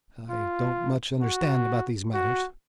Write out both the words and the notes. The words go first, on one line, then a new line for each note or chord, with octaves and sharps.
I don't much understand about these matters.
F4
F#4
F#4